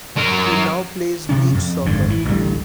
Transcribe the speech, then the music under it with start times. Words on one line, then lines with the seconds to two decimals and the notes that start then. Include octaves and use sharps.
He now plays beach soccer.
0.16 F#3 A#4
1.29 C3 C#4
1.55 F2
1.86 G#1 F#2 D3
2.10 E3
2.25 A1 D2 G3